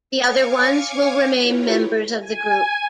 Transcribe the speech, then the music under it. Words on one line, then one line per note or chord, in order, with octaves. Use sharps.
The other ones will remain members of the group.
C#5 F5 G#5 C#6 D6 G#6
E4 F4 G4 A#4 B4 C#5
G#5